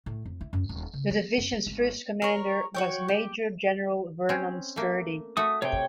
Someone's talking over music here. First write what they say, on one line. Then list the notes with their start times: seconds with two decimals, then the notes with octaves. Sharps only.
The division's first commander was Major General Vernon Sturdee.
0.06 A2
0.25 F2
0.41 E4
0.53 F#2
0.69 D#1
0.93 C#3
1.11 B3
1.38 F#2
1.52 G3
1.66 G#1
2.22 A#4 C#5
2.75 F#4 C#5 G5
3.08 G4
4.29 C4 C#4
4.76 A3 A#3
5.37 A3 F#4 D#6
5.62 C3 C#5 G5